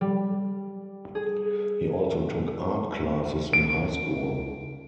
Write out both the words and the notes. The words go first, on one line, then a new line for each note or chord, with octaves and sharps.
He also took art classes in high school.
G3
G#4
D7